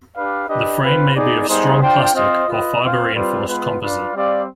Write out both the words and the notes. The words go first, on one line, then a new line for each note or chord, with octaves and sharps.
The frame may be of strong plastic or fibre reinforced composite.
D4 G4 B4 D5 F5
D4 G4 B4 D#5
C4 F4 B4
B3 D#4 G#4 D5
G3 B3 D#4 G#4 C5
D4 F4 C5 G5
C4 F4 C5 D#5
F4 B4 D#5
C4 F4 C5 F5
G3 C4 F4 B4 D5
G#3 B3 F4 B4
D4 F4 B4 D5 F5
G3 C4 G4 D5 F5